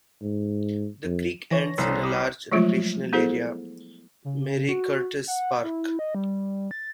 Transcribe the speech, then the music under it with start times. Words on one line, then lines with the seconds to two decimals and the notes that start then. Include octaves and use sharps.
The creek ends in a large recreational area, Marie Curtis Park.
0.22 G#2
1.05 F2
1.51 E3 C#5 A#6
1.78 C2 B3 A4 C5
2.03 B5 D6 D#6
2.51 F3 F#3 G#3 A3 F4
3.13 B3 E4 G#4 A4 C5
4.25 C#3
4.69 F#4
5.27 F#5
5.64 E4
5.99 D#5
6.15 G3
6.71 A6